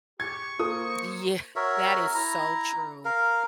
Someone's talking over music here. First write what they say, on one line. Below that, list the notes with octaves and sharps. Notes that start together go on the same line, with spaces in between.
Yeah, that is so true,
G4 C#6 G#6
A#3 F4 A4 A#4 C5 D#6
F#4 A#4 C#5 E5
E4 A#5
A#4 F5